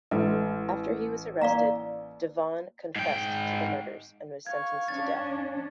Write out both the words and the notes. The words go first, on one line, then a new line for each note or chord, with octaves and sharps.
After he was arrested, DeVaughan confessed to the murders and was sentenced to death.
A1 G#3 A4
A#3 D5 F5 A#5
G#2 G5
F5 C#6 G#6
C#4 D4 A6